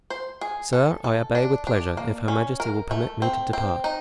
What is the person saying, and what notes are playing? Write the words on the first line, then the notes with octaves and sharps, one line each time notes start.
"Sir, I obey with pleasure, if her majesty will permit me to depart."
C5
G#4
A4
A4
D4
D4
A#3
C#4
A#4
A3
C4
C4
D#4